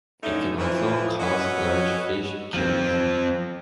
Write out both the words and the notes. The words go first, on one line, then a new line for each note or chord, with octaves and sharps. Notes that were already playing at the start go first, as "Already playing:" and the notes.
It can also cause large fish kills.
A2 D3 A3 C#4 D#4
E3 F3
C#4 F#4 A4 B4 D#5 F#5
F3 C4